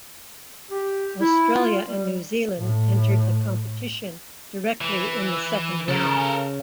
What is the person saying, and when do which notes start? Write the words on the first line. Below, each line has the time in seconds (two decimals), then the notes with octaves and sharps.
Australia and New Zealand entered the competition directly in the Second Round.
0.70 G4
1.21 E4
1.54 F4
1.84 G3
2.59 A2
4.81 E3
5.88 C#3 A4 A#4